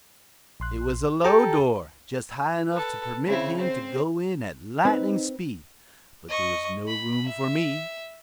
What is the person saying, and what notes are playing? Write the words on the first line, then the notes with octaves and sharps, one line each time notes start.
It was a low door, just high enough to permit him to go in at lightning speed, but there was no room for me.
A#1 C6 F#6
G4 A4 G5 A#5
A4 B4
C#3 C4 E4
C4 C5
C4 D#4 B4
D#5 C#6
B5
E5